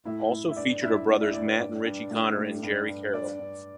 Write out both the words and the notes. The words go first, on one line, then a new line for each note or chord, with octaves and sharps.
Also featured are brothers Matt and Richie Connor and Gerry Carroll.
A2 E4 E5
A2
E5
G2 D5
G2 E4 E5
A2 D5
E4 E5
A2 D5
B4
G2 D5
G2
A2
A2
G2
G2
G2 D5
G2